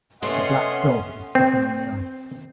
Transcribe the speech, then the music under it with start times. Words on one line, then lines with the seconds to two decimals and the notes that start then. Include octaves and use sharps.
A black dog is stepping on the ice.
0.22 C3 A3 B3 C#4 C#5 D#5 F#5 C6
1.35 C4